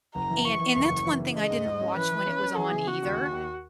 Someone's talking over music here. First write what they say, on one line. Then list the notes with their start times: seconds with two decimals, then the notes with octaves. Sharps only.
and and that's one thing I didn't watch when it was on either,
0.14 F#1 A#5
0.30 E3
0.45 E3 C#6
0.59 E3
0.75 F#1 C#6
0.90 F#1
1.05 E3
1.20 C#3
1.35 G#3 D#5
1.51 G#2
1.65 G#2
1.81 C#4
1.96 E3 B4
2.12 E3
2.26 C#4
2.42 C#4
2.57 E3 G#4
2.72 C#3
2.87 C#3 F#4
3.02 D#2
3.17 D#2
3.32 D#2